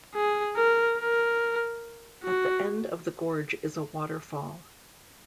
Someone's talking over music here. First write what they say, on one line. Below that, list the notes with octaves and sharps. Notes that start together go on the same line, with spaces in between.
At the end of the gorge is a waterfall.
G#4
A#4
A#4
F#4